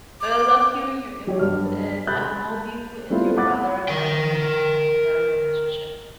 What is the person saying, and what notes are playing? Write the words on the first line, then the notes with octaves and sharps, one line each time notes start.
But I love hearing your input, and I hope you and your brother have ended up having a better relationship.
D6
F#3 G4 C#5
G2 F6
B5 F#6 G6 A6
G3 A3 B3 C4 E4 F4
F#5 B5 D6 F#6 A6
A#4 G5